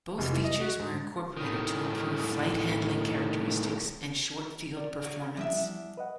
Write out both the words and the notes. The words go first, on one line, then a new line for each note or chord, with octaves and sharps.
Both features were incorporated to improve flight handling characteristics and short-field performance.
F1
E3
D#5
F#4
G#2
A2 D#3
D5
D3 F#3
E2 F3 G3 D4 E5
B4 D#5 F#5